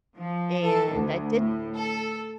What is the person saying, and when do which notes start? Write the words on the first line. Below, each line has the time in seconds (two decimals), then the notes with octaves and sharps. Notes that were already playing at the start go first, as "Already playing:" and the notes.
And I did
0.15 F3
0.63 A4
0.93 D2
1.34 A2
1.75 A4